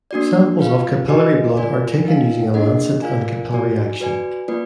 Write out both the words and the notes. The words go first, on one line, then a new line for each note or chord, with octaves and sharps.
Samples of capillary blood are taken using a lancet and capillary action.
A#3 D4 F#4 D5
F4 B4 F5
F#4 B4 D#5 G#5
F4 A#4 D5 G#5
D#4 A#4 F5 G#5
A#3 D4 G#4 D#5 F#5
F4 A#4 D5 F5 G#5
F#4 D5 G#5
F#4 B4 D5 G#5
A#3 F4 B4 D5